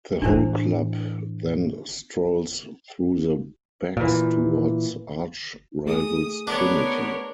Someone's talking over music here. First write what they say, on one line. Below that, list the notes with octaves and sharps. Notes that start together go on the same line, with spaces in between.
The whole club then strolls through the backs towards arch-rivals Trinity.
A2 E3 D4 E4 C5
A#2 E3
A3 G#4 D#6
B3 D4 A#4 B4 C#5